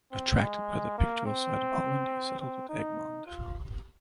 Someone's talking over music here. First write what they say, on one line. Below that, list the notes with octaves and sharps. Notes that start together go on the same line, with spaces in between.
Attracted by the pictorial side of Holland, he settled at Egmond.
C4
G#3
A#3
C4
C4
D#4
F4